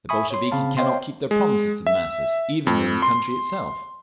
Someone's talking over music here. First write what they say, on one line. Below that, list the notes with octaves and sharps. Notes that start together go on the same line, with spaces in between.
The Bolsheviki cannot keep their promises to the masses, even in the country itself.
E5 G#5 B5 C#6 D#6
C#5 C6
C#3 C4 F5 A5 B5
C5 C#5 D#5 F5 G5 C6
G#3
E5
F2
C6